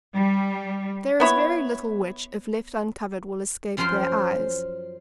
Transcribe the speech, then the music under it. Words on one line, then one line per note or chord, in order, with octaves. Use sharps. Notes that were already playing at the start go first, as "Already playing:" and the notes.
There is very little which, if left uncovered, will escape their eyes.
G3
B3 E4 C#5
F#2 F3 C#4 A#4 C5 C6